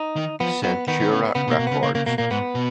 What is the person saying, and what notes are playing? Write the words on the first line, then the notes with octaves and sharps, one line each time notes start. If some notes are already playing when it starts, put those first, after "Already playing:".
Centaur Records.
Already playing: D#4
D#3
F3 B3
F#3 B3
D#3 B3
D#3
C#3
C#3 B3
B2
A#3
B2
C#3 B3
C#3 A#3
C#3 A#3
B2 A#3
A#2 A#3
G#2 B3
B2